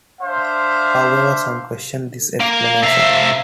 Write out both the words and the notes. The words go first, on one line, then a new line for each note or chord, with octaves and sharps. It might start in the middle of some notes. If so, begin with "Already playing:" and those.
However some question this explanation.
D4 C5 E5 F5
A#3
C3 E5 F5